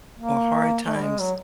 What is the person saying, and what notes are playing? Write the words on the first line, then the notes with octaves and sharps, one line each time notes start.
or hard times
A#3
A3
G3
G#3
F#3